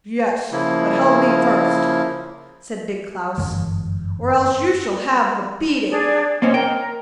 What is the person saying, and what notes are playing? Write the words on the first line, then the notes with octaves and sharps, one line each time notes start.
'Yes; but help me first,' said Big Klaus, 'or else you shall have a beating!'
C#3 F3 A#3 E4
G1 F#2 E3 G#3
D4 G#4 D5
A#3 C4 C#4 D#5
A#4 G5